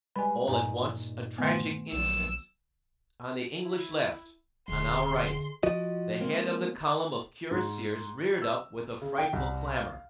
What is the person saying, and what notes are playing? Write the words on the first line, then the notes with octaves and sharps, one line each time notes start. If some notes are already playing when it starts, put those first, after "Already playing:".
All at once, a tragic incident; on the English left, on our right, the head of the column of cuirassiers reared up with a frightful clamor.
G3 G#3 B4 G#5 B5
G2 A#2 D#4 G#5 A#5
D#3 A3 B3
A#1 F#3 E6
E4
D#1 D3 G#3 C6
F3 F#4 D#5
G#3 A#3 C4
G#2
E6
C#3
G5
C2
F5